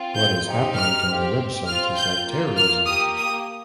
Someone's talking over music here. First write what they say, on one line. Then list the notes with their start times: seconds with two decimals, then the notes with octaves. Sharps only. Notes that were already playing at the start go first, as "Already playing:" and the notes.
What is happening to my website is like terrorism.
Already playing: C4 F4
0.15 G6
0.46 C4 D#4 G4
0.75 F6
1.05 C4 G4
1.66 C4 F4 F6
1.96 G6
2.26 A#3 F4
2.56 F6
2.86 A#3 G4 D#6
3.16 D#6